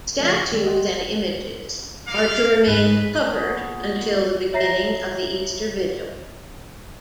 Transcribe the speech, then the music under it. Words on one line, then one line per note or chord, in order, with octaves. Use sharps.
Statues and images are to remain covered until the beginning of the Easter Vigil.
C#3 F3 A3
D#2 G3 G#3 E6
D#5 F#5 G5 C6
A#3 F5
G#2 B4
A#2 F#3 B3 G#4
C#5 E5 A#5 A#6 C7